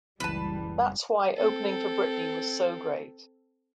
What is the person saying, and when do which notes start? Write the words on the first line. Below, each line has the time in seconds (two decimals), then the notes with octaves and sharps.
That's why opening for Britney was so great.
0.20 F#1 C#2 E3 G3 B4 A5
1.36 C4 A4